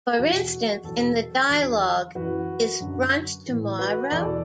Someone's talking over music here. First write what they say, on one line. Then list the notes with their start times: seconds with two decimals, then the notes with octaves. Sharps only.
For instance, in the dialogue Is it brunch tomorrow?
0.10 A4
0.18 E2 B2 F#3 F#4
0.83 E2 B2 F#3 A4
1.49 E2 D3 F#3
2.15 F#2 E3 F#4 B4
2.80 F#2 D3 F#3
3.46 A2 E3
3.79 F#4 B4
4.12 E2 B2 F#3 A4 D5